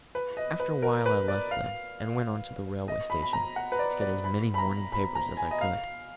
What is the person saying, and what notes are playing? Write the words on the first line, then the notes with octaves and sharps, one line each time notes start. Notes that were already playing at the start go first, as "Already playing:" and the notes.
After a while I left them, and went on to the railway station to get as many morning papers as I could.
B4
D#5
B4
A#4
B4
D5
F5
D#5
B5
B5
A#5
F#5
B4
D5
D5
B5
B5
A#5
B5
A#5
G#5
D#5
F5